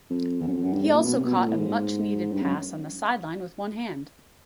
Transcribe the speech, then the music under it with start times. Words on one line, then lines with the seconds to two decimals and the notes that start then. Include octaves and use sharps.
He also caught a much-needed pass on the sideline with one hand.
0.10 F2
0.41 E2
0.47 F#2
0.52 F2
0.63 F#2
0.73 G2
0.84 G#2
0.94 A#2
1.04 B2
1.15 C3
1.26 B2
1.37 A#2
1.48 A2
1.58 G#2
2.32 G2
2.42 F#2